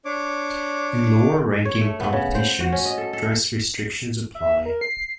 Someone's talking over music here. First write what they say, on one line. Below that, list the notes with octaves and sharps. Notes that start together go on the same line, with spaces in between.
In lower ranking competitions dress restrictions apply.
D4 C#5 D6
C#5
A3
B3
C#3
C5
F#4
C#4
D#5
A4
A4
E5
A#4
C7